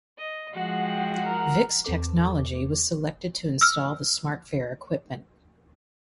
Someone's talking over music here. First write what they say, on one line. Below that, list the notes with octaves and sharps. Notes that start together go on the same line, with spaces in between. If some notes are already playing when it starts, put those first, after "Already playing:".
Vix Technology was selected to install the smart fare equipment.
D#5
F3 G#3 F#4 F#5
G5
A#4
E2 C4 A4 D6
E6 F6